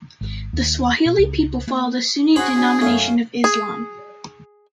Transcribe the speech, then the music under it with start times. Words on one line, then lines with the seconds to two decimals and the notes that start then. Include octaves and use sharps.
The Swahili people follow the Sunni denomination of Islam.
0.21 G#1
0.53 D#2
1.06 B2
1.18 C#2
1.67 A#3
2.36 C#4 F#4 G#4 C5 B5
2.56 D4 F#4 G#5
2.82 F#2 A3 C#4 F5
3.44 G#4